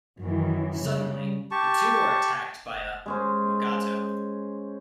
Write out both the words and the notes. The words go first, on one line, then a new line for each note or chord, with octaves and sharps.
Suddenly, the two are attacked by a "mugato".
F#2 D#3 E3
C#3 G3
G4 A5 C#6
G#3 C#4 C5